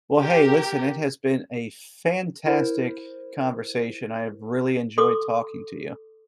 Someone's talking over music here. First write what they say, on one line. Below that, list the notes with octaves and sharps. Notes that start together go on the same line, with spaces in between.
Well, hey, listen, it has been a fantastic conversation, I have really enjoyed talking to you.
G4 A#4
E4 A#4 C5
A4 C6 D6 D#6